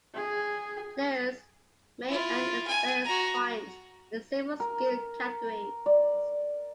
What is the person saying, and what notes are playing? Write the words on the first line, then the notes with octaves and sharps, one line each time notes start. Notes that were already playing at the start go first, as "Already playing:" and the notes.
Players may earn experience points in several skill categories.
G#4
E4 F4
G#5
F#4 A#5
A#4
D5